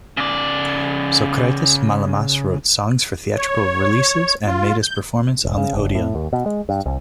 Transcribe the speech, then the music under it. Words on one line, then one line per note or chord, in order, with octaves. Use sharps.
Sokratis Malamas wrote songs for theatrical releases and made his performance in the odeon.
C#3 D5
C#5
F4
G6
E1
C#3
F#1
A2
D#2
B2
G#3
G2
C2